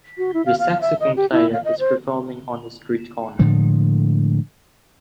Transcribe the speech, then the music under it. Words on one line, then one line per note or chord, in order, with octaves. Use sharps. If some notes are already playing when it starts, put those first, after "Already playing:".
The saxophone player is performing on the street corner.
F#4
E4
F5
F5
E5
D#5
G4
E4
F5
D#5
C5
A2 D3 F3 G#3